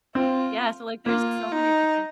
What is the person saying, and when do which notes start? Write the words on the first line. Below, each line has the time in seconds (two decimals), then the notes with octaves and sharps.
Yeah so, like, there's so many different
0.15 C4 F4
1.06 A#3 F4
1.52 D#4